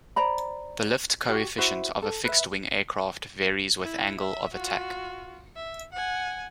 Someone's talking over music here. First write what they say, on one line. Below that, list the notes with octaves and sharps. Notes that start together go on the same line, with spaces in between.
The lift coefficient of a fixed-wing aircraft varies with angle of attack.
C5 D5 A#5 B5
F#4 G4
E4 F#4 C5
A4
B4 E5
E4
E5
F4 F#4
E5
F#5 G#5